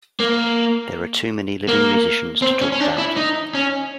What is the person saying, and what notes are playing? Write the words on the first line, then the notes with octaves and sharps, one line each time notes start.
There are too many living musicians to talk about.
A#3
A#3
C4
C#4
C#4
D4
E4
D#4
C#4